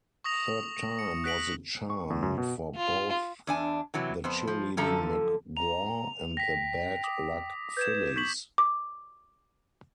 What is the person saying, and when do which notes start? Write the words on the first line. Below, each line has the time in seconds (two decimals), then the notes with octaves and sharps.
Third time was the charm for both the cheerleading McGraw and the bad-luck Phillies.
0.24 C#6 D#6 A#6 F7
0.99 C#7
1.24 F#6 A#6 B6 D7 F#7
1.90 C#6
2.10 E2
2.23 F#2
2.38 B2
2.76 F4
3.47 E2 D4 G#5
3.94 C3 E3 F#3
4.24 F2 B3 C5
4.47 F3
4.77 F#2 D3 F3 A4 A#5
5.57 A#5 F7
6.37 G5 A#6 B6
7.03 D6 D#6 A#6
7.77 B4 G6 G#6 E7
8.16 C#6 G6 B6 F#7
8.58 D6